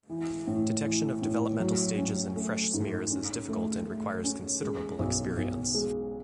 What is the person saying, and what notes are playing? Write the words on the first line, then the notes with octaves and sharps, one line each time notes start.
Detection of developmental stages in fresh smears is difficult and requires considerable experience.
E3
A2
E3
A2
F#3
C#4
A3
G#2
C#4
A3
A3
C#4
G#3
B1
B1
G#3